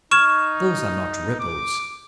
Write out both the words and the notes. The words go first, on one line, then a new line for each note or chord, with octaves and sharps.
Those are not ripples.
D#4 C#6 F6 G#6 E7
D6